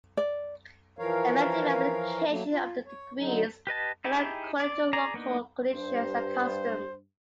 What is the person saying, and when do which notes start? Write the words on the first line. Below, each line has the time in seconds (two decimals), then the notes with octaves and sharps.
Effective application of the decrees varied according to local conditions and customs.
0.17 D5
0.99 E3 F3 A#4 C#5 F5
2.29 F#3 A3 A#3
2.52 F4
2.86 C#5
3.19 D3 F#3 D#4
3.67 G4 B4 D#5 A5
4.04 D#4 E4 G4 G#4 G5
4.60 D5
4.93 G#4 D5 A#5
5.14 A#3 B3 D4 D#4
5.72 G2 C5